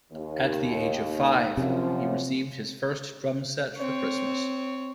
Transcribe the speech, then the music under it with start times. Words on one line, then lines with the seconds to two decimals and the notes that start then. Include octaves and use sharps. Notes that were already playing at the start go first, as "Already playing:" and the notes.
At the age of five he received his first drum set for Christmas.
0.11 D#2
1.57 F#2 C3 F3
3.77 C4 C#5